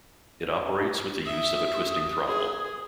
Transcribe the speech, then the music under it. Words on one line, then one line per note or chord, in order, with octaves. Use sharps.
It operates with the use of a twisting throttle.
E5 D#6
G#4